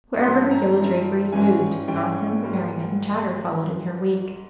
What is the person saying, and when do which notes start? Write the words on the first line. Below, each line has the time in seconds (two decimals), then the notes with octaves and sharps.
Wherever her yellow draperies moved, nonsense, merriment, and chatter followed in her wake.
0.23 G2 E3 G3 C6
0.51 A#5
0.78 G2 E3 G3
1.32 G#2 E3 G3 C#4 G#5
1.88 G#2 E3 G3 C#4 G5
2.42 G#2 G3 A#3